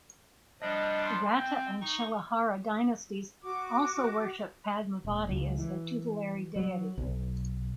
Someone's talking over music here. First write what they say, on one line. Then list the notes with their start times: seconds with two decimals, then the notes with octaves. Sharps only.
The Ratta and Shilahara dynasties also worshiped Padmavati as their tutelary deity.
0.62 F3 G3 D4 D#5
1.04 C6
1.39 C4 G5
1.81 D#4 C#6
3.42 F#4 D6
5.05 D#1
5.29 C#2
5.58 E3
6.56 F#3
6.98 B1